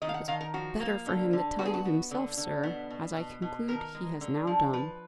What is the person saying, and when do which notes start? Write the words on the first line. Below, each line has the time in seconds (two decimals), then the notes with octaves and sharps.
"It was better for him to tell you himself, sir; as I conclude he has now done."
0.02 D#3 D#5
0.09 F5
0.14 F#5
0.28 D#3 F5
0.41 A#4
0.54 F3 F#4
0.80 A#3
1.07 D3
1.33 D3
1.59 B3 F#4
1.65 G#4
1.74 F#4
1.85 B3
2.11 D3
2.37 D3
2.63 B2 B3
2.90 B2
3.16 B2
3.42 B2
3.68 D#3 A#4
3.95 G#3
4.21 D3
4.47 F3
4.73 F3 B4